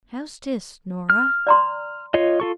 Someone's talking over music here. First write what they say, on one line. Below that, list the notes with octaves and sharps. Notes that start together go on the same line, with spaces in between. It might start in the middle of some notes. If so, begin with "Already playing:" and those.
"How's this, Norah?"
F6
D5 A#5 C6
F4 C#5 D#5
F4 A4 C#6